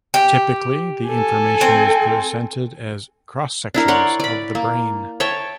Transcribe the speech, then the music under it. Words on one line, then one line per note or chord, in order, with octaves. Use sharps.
Typically the information is presented as cross sections of the brain.
G4
A4 G#5
C4
D4 E4 A#4
C#5 D5 F#5 C6
D5 B5
A#3
C#5 E5 G5 A5